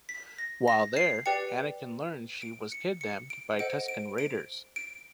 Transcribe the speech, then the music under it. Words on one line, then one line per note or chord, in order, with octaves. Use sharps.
While there, Anakin learns she was kidnapped by Tusken Raiders.
B6
A#6
A#6
C7
G4 B4 D5 G5 C#7
D7
C#7
C#7
D7
A4 C5 D#5 F#5 D7
D7
D7
D7